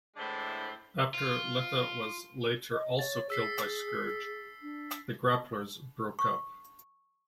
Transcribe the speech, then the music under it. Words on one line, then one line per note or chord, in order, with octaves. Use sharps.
After Letha was later also killed by Scourge, the Grapplers broke up.
A2 D3 E3 G#3 D4 C5
F4
D#5
C#5 A6
G#4 E6 B6 C7
D4
C#6